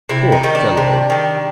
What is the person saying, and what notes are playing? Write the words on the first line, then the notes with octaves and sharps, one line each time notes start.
Poor fellow!
C3 E4
D#4
D#3 G3
D4
C3
D#3 G3